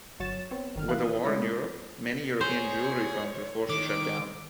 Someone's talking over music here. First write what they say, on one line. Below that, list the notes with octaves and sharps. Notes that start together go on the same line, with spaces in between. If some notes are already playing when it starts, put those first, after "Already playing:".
With the war in Europe, many European jewelry firms were forced to shut down.
G1 F#3 C#5 A6 E7
B3 C4 C#5
G1 D#3 F6
E3 A#3 B4 F5 F#6
D#6
G#3 A3 C#4 E4 C#5 D#6
G#4 C5 C#5
D#3 D6